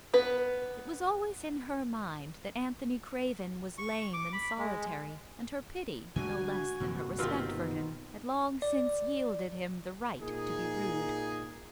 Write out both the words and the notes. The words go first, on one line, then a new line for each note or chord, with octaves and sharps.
It was always in her mind that Anthony Craven was lame and solitary, and her pity no less than her respect for him had long since yielded him the right to be rude.
B3 B4
C#6
D6
B5
G#3
D3 G#3 D4 F#4 G#5
G1 C3 A#3
B2 D#3 C4 F4 G4
D5
A#2 D#4 G#4